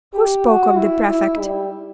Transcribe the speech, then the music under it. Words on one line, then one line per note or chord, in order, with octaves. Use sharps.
'Who spoke of the prefect?
G4
F#4
E4
E4
G3